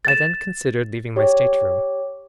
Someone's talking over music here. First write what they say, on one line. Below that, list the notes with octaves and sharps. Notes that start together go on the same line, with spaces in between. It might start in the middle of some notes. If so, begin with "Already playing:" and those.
I then considered leaving my stateroom.
A6 E7
G4 C#5